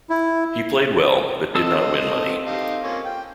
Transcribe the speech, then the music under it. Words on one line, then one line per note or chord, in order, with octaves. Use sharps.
He played well, but did not win money.
E4
C4 F4 A4 D#5 E6
D#4 G4 F5
A#3 C#4 F4
G5